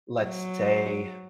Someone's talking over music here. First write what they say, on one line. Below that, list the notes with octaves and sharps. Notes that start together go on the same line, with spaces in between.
let's say,
F#3